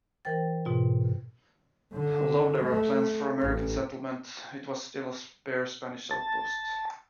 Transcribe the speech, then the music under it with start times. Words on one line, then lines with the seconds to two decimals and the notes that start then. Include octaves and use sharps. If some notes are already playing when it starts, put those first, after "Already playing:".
Although there were plans for American settlement, it was still a spare Spanish outpost.
0.25 E3 A#4 C5 G5 A6
0.65 G#2 B2 F4
1.93 D3
2.63 A3
3.42 A1
6.11 A5